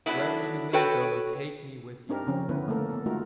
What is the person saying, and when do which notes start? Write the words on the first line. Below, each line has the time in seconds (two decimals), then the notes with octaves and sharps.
Wherever you may go take me with you!'
0.06 F#3 A3 B3 D4 E4
0.73 F#4 A4 B4 C#5 G5
2.09 C4 D4 D#4 G4 A#4
2.27 C#3 F3 C4 C#4
2.49 D3 B3 E4 A#4 B4 C#5
2.68 A3 A#3 A4 A#4
2.89 B3 A4
3.06 G#3 A3 D#4 F4 F#4 A#4